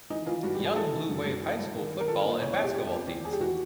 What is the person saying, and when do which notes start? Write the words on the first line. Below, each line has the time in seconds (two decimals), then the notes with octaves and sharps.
Yonge Blue Wave high school football and basketball teams.
0.10 E3 D#4
0.26 E3 F4
0.43 G2 F#4
0.55 G2 G4
0.65 G#4
0.76 E3 A4
0.92 E3
1.09 F#2
1.26 F#2
1.42 E3
1.58 G2
1.75 D#3
1.92 D#3
2.01 A#4
2.08 F3 A4
2.20 A#4
2.25 A#2
2.31 C5
2.41 E2 C#5
2.53 C#5
2.59 B2 G4
2.74 F2 G4
2.91 F2
3.07 E2
3.24 E2 G#4
3.32 G4
3.40 E3 F#4